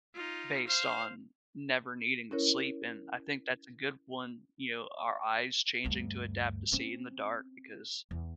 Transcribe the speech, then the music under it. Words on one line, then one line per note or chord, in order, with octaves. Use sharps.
based on never needing to sleep and I think that's a good one, you know, our eyes changing to adapt to see in the dark because,
D#4 F4
C5 F5
C#4 E4 A#4 C#5
D2 G2
C4 C#4
E2